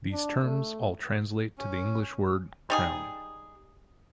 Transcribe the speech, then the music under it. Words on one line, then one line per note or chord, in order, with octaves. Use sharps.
These terms all translate to the English word "crown".
D4
A3
C#4
G3 D#4 G#4